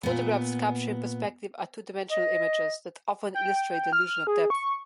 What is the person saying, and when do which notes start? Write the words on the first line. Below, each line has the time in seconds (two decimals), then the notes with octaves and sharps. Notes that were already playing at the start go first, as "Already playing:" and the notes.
Photographs capturing perspective are two-dimensional images that often illustrate the illusion of depth.
0.03 A#2 B3
2.11 D#5
3.34 G5
3.93 F6
4.27 G#4
4.50 C#6